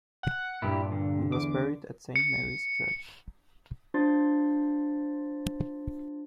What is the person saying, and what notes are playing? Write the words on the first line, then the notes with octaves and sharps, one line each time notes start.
He was buried at Saint Mary's Church.
F#5
G2 A#2 E4 G4
D3
E2 D6
C#7
D4 F4 C5 C6 A6